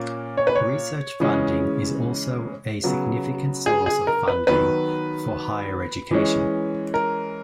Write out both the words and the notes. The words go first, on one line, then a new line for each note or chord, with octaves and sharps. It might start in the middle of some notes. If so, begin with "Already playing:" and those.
Research funding is also a significant source of funding for higher education.
Already playing: A#2 A#3 C#4
C#5
B4
C#5
C#3 E3 G#3 C#4
C#3 F#3 B3
G#4
G#4
A#4
B4
D#3 F#3 B3 B4
E3 G#3 C#4
A#4